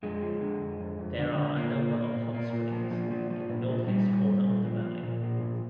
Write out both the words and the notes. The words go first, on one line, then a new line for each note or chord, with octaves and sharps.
There are a number of hot springs in the northeast corner of the valley.
F2 G#3
F3
D3
F2
F2
F2
D3
D3
A#2 A#3
A#2
A#2
A#2
A#2 A#3
A#2
F3
F3
F3
F3
A#2
F3
A#2 G3
A#2
A#2
A#2
F3
A#2
A#2
F3
A#2